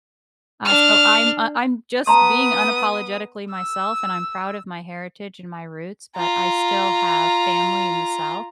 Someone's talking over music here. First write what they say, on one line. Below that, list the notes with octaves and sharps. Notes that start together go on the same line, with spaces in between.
Uh, so I'm uh, I'm just being unapologetically myself, and I'm proud of my heritage and my roots, but I still have family in the South
D4 F6
B3 A5 A#5 C6 D#6
E6
F4 A#5